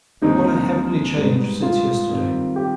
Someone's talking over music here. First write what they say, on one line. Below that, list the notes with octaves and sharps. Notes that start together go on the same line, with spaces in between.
But what a heavenly change since yesterday!
D#2 D3 G3 C4 D#4
G#2 G3 B3
F4
F2 D#3 G3 C4
G4